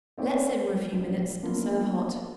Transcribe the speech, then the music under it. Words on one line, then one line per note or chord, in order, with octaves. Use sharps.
Let simmer a few minutes and serve hot.
C4 D#4 C#5 D5 G5
A#1
A#3 B3 D4 E4 F4